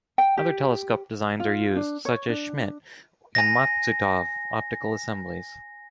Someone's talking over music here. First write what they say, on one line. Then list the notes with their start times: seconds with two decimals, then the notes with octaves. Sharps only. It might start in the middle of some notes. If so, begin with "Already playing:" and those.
Other telescope designs are used such as Schmidt and Maksutov optical assemblies.
0.18 G5
0.37 G4
1.40 F4
1.76 D4
2.05 C#5
2.29 D4
3.35 G#5 A#6